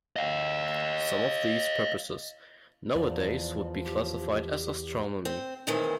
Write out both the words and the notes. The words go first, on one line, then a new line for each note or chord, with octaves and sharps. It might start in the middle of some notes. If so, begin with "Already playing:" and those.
Some of these purposes nowadays would be classified as astronomy.
D#5 F5
E2 F3 D5
G4
C4
F2 A#2 D#3 E3 G#3 C4